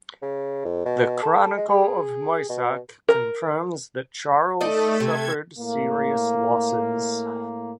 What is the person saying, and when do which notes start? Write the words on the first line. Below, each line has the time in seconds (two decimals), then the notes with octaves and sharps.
The "Chronicle of Moissac" confirms that Charles suffered serious losses.
0.22 C#3
0.65 F2
0.86 B2
1.23 A4
1.57 G#3
1.69 G#4
2.49 B2
3.09 A#4
4.61 A3 D#4 A4 D5 D#5
5.00 C3 G#6
5.59 A2 A#3